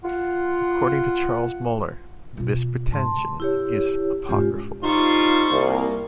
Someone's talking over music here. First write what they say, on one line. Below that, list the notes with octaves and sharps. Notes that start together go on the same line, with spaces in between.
According to Charles Moeller, "this pretension is apocryphal".
F4 F#5
B2 F4
G#2 A5 C6
C3
E4 G4 C#5
G#2 G#3 C#4 F4 G4
G3 D#4 F4 C5 C#6
C2 A#3